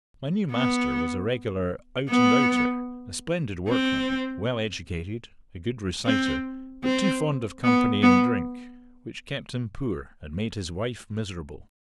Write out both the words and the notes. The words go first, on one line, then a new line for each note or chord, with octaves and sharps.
My new master was a regular "out and outer" a splendid workman, well educated, a good reciter, but too fond of company and drink, which kept him poor, and made his wife miserable.
B3
B3
C4
C4
C4
B3
B3